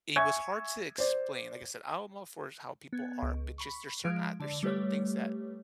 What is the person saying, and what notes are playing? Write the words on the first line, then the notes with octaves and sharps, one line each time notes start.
it was hard to explain. Like I said, I don't know for s how people are, but just there's certain a there's certain things that
E5 G#5 C#6 G#6
C5 D5
B3 G#6
C#2
B5 C#6
F3 G#3 F5 F6 G#6 D7
D3 D5
G3 A3 G4 B4 C#5